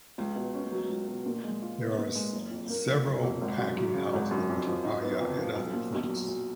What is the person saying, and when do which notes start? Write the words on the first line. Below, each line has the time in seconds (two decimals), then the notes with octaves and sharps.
There are several packing houses for papaya and other fruits.
0.18 C#2
0.35 B2
0.54 C#4
0.72 F#3
0.90 C#2
1.08 B2
1.26 A#2
1.44 G#3
1.62 F4
1.80 B3
1.98 A#2
2.15 G#3
2.33 F#1
2.51 F2
2.70 A#3
2.88 F3
3.05 F#1
3.23 F2
3.42 G#1
3.58 F#2
3.77 F#3
3.94 C#3
4.13 G#1
4.31 F#2
4.49 F2
4.67 F3
4.84 D#4
5.03 B3
5.21 F2
5.38 F3
5.56 B1
5.73 A#2
5.92 B1
6.09 F#3
6.28 B1